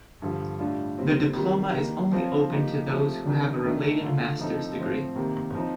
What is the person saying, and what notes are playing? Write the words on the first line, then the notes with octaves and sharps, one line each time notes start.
The diploma is only open to those who have a related Master's degree.
G2 D3 F3
A2 G3 D4 F4
A#2 G3 C4
C3 D#3 G3
D#3 G3 A#3
F3 C4 F4
F3 A#3 D#4 G4
C3 F3 A3
C3 D#3 G3 D4
D#3 A3 D4 A4
D3 A3 D4 F4
F3 C4 D#4 A4
A2 F3 C4
C3 D#3 A#3
F3 C4 D#4